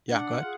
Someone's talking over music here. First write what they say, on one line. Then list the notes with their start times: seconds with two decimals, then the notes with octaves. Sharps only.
Yeah, go ahead.
0.09 D4 F#5
0.40 F4 G#4